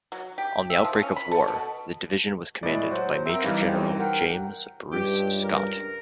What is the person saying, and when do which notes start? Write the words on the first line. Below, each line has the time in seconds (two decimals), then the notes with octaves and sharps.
On the outbreak of war, the division was commanded by Major-General James Bruce Scott.
0.12 F#3
0.38 G4
0.70 E5
0.84 F3
1.03 C#4
1.16 B5
1.31 A4
1.48 B2
2.63 E2 A2 G#3 E4 D5
2.91 F#3 F#4 C5
3.26 C4 A#4 E5
3.43 E3 G3 D#4 B4 F5
3.66 F#2 C4
3.99 A#4 F#5 G5
4.91 C#2 G2 G4
5.42 A#4